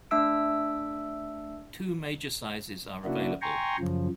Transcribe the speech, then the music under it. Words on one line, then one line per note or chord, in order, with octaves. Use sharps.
Two major sizes are available.
A3 D4 E5 E6 D7
C#3 A#3 D4 E4 F#4
G5 G#5 A#5 C6 C#6
F#2 C#3 F3